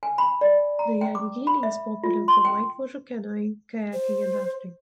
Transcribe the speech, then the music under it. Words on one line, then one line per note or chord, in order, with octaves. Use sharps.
The Youghiogheny is popular for whitewater canoeing, kayaking and rafting.
G#5
B5
D5
A#5
G5
D6
B5
E5
F4
C6
G5
C5